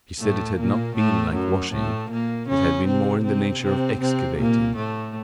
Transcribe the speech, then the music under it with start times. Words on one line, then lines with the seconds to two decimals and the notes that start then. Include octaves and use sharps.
She said it had not been like washing, it had been more in the nature of excavating.
0.20 A2 A3
0.58 A#2 A#3
0.96 A2 A3
1.34 F#2 F#3
1.72 A2 A3
2.10 A#2 A#3
2.48 C#3 C#4
2.86 C3 C4
3.24 C3 C4
3.62 C3 C4
4.00 C3 C4
4.38 A#2 A#3
4.76 A2 A3